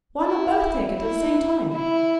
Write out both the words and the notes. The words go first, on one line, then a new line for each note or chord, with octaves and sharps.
"Why not both take it at the same time?"
E4
E4
E4